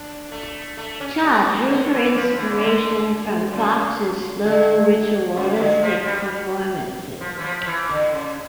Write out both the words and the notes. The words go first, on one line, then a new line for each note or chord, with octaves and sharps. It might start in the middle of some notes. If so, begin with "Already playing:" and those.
Cha drew her inspiration from Fox's slow, ritualistic performances.
Already playing: D4
A3
A3
C#4
G3
F3
D3
E3
F3
E3
C#3
D3
C#3
D3
C#3
D3
F3
G3
F3
E3
F3
F3
E3
D3
C#3